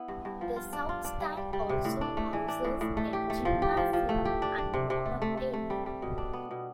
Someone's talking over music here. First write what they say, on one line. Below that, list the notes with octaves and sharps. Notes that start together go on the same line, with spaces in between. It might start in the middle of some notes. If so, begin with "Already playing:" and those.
The South Stand also houses a gymnasium and warm up area.
Already playing: B3 E4
G2
G2
F3
F4
D4
F4
D4
G3
G3
G3
C3
A2
D4
A3
E3
D4
A2
A2
A3
G4
A3
F3
G4
F3
F3
A3
G4
D4
D4
C3
C3
A3
A3
A3
A3
G3
G3
B2
D4
B3
B2